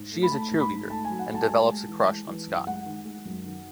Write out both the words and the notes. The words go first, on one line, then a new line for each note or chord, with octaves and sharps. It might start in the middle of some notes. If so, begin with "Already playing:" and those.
She is a cheerleader and develops a crush on Scott.
Already playing: G#2
A3
B5
A3 A5
G#2
B5
G#2
A3 A5
F#3 G#5
F#5
A3
A5
G#5
G#3 A5
G#3
E3
G#3
E3
F#2
G#3 F#5
D#3
G#3
F#2
D#3